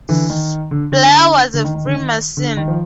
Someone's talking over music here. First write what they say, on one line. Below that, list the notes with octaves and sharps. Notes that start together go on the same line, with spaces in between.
Blair was a Freemason.
D3 E3
D#3
D3
D3
D3
D#3
D#3
D3
D#3
D3
D#3
F3